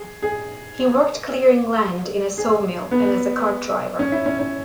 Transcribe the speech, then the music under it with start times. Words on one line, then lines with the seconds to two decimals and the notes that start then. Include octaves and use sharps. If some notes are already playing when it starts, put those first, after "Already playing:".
He worked clearing land, in a sawmill, and as a cart driver.
Already playing: G#4
0.22 G#4
2.38 G#4
2.91 B3
3.99 C#4
4.12 E4
4.26 C#4
4.39 C#4